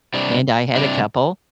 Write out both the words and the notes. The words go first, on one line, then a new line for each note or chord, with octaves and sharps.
and I had a couple,
C3 G3 D4
C3 G3 D4